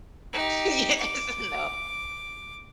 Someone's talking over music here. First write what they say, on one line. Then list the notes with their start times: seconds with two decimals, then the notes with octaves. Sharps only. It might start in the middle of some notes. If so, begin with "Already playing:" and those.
Yes. No.
0.33 D#4 G4
0.97 D6